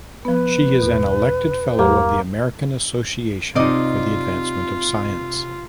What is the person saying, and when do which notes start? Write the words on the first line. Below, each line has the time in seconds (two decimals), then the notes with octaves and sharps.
She is an elected fellow of the American Association for the Advancement of Science.
0.25 F3 B3 B4
0.82 E2 B2
1.79 E2 F#3 A#3 G4
3.55 C3 C4 D#4 F4 D5 D#5 D6